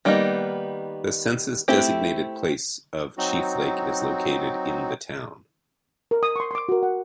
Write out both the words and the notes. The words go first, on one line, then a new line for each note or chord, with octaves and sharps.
The census-designated place of Chief Lake is located in the town.
D#3 G3 A#3 B3 D#4
A3 C4 E4 G4
F#3 C4 D#4 F#4
A#4
D#6
C6 C#6
C6 D6
F#4 A#4
F#5